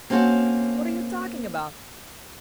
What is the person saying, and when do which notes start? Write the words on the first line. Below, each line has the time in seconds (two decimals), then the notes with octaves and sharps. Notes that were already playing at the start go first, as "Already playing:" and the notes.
What are you talking about?
0.10 A#3 C4 C#4 F#4 A4